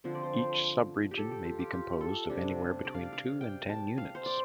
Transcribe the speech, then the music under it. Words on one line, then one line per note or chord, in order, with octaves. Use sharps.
Each sub-region may be composed of anywhere between two and ten units.
D3 F3 C4 C5
D5
C5
G4
A4
G4
F4
G4
G4
A4
C3 G3 D4
D5
F5
D5
F5
G5
A5
F5
C5
D5